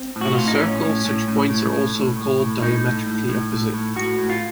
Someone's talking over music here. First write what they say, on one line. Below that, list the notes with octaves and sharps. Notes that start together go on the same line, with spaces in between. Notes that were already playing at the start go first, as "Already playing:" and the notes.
On a circle, such points are also called diametrically opposite.
Already playing: C4
A2
F#4
A2 F4
D#4
A2 C#4
A2
A2
A2
A2
A2
A2
A2
A2
A2 D#4
A2
A2
A2
A2
A2
A2 F#4
A2
F4